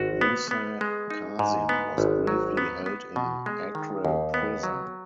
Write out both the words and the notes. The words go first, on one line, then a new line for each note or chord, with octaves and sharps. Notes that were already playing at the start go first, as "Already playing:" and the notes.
Musa Kazim was briefly held in Acre prison.
Already playing: G#1 F#4
B3
B3
G#3
D#4
G#2
B3
G#1
F#3
B3
B3
B2
G#3
D#3
D#2
B3
F#3